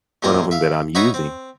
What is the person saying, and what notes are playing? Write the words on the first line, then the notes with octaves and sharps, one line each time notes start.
one of 'em that I'm using,
E2 A#2 G#3 C4 A#5 C6
E5 F5
D#4 F#4 B4 C#5 E5 A#5
C4